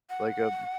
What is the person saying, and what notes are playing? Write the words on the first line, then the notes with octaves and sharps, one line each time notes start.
like, um
F#5